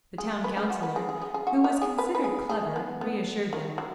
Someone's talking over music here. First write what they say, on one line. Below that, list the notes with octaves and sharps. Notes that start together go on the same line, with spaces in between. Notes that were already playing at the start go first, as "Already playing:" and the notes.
The Town Counsellor, who was considered clever, reassured them.
G#4
B4
G#4
F#4
B4
G#4
G#4
G#4
G#4
F#4
D#4
G#4
B4
B4
G#4
G#4
B3
B3
D#3
F#3